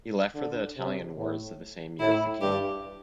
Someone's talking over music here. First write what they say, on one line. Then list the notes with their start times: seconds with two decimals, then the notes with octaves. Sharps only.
He left for the Italian wars the same year with the king.
0.35 D3
0.76 C3
1.17 A2
1.99 A2 E4
2.40 G2 G4